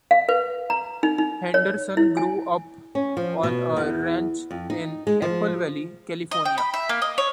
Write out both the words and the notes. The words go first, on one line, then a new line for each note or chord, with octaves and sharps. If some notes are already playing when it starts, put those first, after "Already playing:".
Henderson grew up on a ranch in Apple Valley, California.
F5
B4
A#5
D#4
D#4
C#5
E4
G#5
C#4
F3
B2
E2
F2
D#4
G#3
F3
D#5
G5
B5
E5
A#3
D#5
C#5